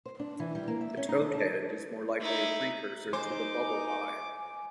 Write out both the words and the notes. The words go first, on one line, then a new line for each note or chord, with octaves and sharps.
The toadhead is more likely a precursor to the Bubble eye.
C5
D4
E3
G3
A#3
E5
C#4
D#4
A4
A5
D#4 E4
D#4 C5 G#5 D6